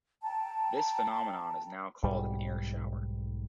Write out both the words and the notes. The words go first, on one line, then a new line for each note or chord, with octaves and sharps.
This phenomenon is now called an air shower.
G5 A5 A#5
B1 G#2 G3